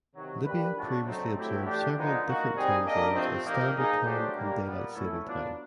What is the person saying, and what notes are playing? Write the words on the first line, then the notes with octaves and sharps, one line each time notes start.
Libya previously observed several different time zones as standard time and daylight saving time.
C3 D#3 F#3
A#3 D4 G4 B4
C#3 F3 A3 D4 F#4
D3 F#3 A3 C4 D#4
F#3 A3 C4 E4 G4
E3 A3 D4 G4
D3 F3 G#3 B3 D#4
A#3 D#4 F#4
G3 C4 D#4 G#4
A#3 D4 G4 A#4 D#5
C3 F3 A3 C4
A#2 F3 A#3 D#4 G4
F3 A#3 D#4 G#4
F#3 A3 D4 G4 C5
B2 G3 A#3
A#2 G3 B3
E3 A3 C#4 E4 A4
F#3 B3 D4 F4